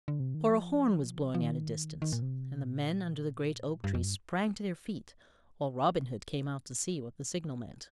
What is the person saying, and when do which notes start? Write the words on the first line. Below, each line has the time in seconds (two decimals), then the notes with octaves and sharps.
For a horn was blown at a distance, and the men under the great oak tree sprang to their feet, while Robin Hood came out to see what the signal meant.
0.08 D3
0.20 C3
0.34 D#3
0.50 F3
1.34 F3
1.41 D#3
2.02 D#3
2.12 A#2
2.22 C3
2.62 A#2
3.84 G2
3.94 F2
4.04 G2